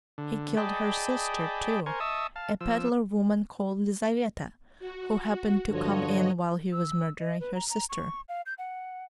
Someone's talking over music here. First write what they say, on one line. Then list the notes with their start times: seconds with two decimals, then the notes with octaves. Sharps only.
He killed her sister too, a pedlar woman called Lizaveta, who happened to come in while he was murdering her sister.
0.18 D3
0.57 G#4 D5 D#5 G5 A5 B5
1.86 A#4 C5 G#5 C#6
2.00 D#5 E5 A5 C#6 D#6 E6
2.36 F5 A5
2.61 F3 E6
4.79 F#4
5.70 G2 D3 F3 F#4 C#5 D#5
6.72 E6
7.20 D#5
7.40 B4
7.55 A#5
7.70 A#5
7.90 C#6
8.29 F5
8.46 G6
8.58 F#5